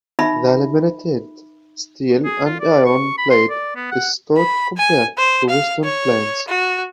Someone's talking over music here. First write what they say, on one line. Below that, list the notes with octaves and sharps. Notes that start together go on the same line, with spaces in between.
The laminated steel and iron blade is stout compared to western planes.
D#4 E5 B5
G#4
F4
D5
C#6
B5
C6
D5
B3
F#5
B5
G#5
C5
F5
C#5
F#4